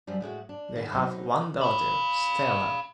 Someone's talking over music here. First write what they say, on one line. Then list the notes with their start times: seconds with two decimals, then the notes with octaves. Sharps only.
They have one daughter, Stella.
0.07 F#2 F3 G3 D4
0.20 A2 G#3 A3 F#4
0.49 D4
0.75 D#3 G#3 B3
0.92 B2 F#3 C4 D#4
1.61 F5 B5